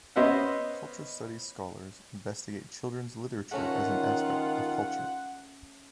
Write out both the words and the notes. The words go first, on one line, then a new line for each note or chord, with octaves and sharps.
Culture studies scholars investigate children's literature as an aspect of culture.
B3 C#4 C5 D#5 E5 F#5
C#2 D#3 A3 C#4 F4 F#5 A#5